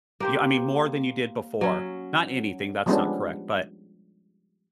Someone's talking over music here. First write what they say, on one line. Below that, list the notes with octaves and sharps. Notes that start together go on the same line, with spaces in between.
You I mean, more than you did before. Not anything, that's not correct, but,
A#3 G4 C5
F#3 C#4
F3 G3 G#3 B3 C#4 D4